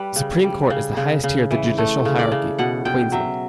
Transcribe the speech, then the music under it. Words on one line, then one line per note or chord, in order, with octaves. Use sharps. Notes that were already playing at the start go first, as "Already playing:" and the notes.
The Supreme Court is the highest tier of the judicial hierarchy Queensland.
Already playing: G3 B4
C#3
G3
C#3
C#3
C#3
E3
A3
C#3
D5
C#3
B2 F#5
B2 G5
F#3 E5